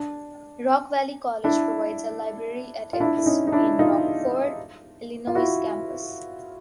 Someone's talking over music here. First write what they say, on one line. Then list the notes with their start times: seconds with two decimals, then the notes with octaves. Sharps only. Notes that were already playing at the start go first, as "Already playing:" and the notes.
Rock Valley College provides a library at its main Rockford, Illinois Campus.
Already playing: D4
1.44 D4 E4
2.93 F4
3.00 D4 E4
3.17 E4
3.26 C#4 D#4
3.47 D#4
3.52 D4 E4
3.79 D#4 F4
5.27 F4
5.35 E4 F#4